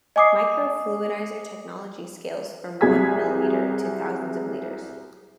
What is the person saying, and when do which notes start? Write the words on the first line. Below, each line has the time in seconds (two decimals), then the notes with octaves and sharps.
Microfluidizer technology scales from one milliliter to thousands of liters.
0.16 D#5 G#5 D6 D#6 C7
2.81 C2 F#3 G#4 G#6 B6